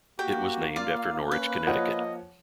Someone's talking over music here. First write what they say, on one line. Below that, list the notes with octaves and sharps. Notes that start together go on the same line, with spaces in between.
It was named after Norwich, Connecticut.
A#3 F#4 G4 G5
F4 D5 F5
C#4 B4
F3 C#5 D#5 F#5